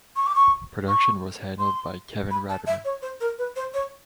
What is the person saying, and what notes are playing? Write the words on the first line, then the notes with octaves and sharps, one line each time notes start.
Production was handled by Kevin Ratterman.
C#6
D6
C#6
C#6
C6
B5
A5
E5
C#5
C5
A#4
B4
C5
C#5